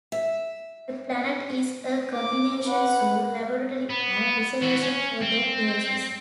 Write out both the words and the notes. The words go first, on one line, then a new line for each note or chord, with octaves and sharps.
The planet is a combination zoo, laboratory, and reservation for the creatures.
E5
D6
B4 F#5
B3
E3 F#4
C#4
C4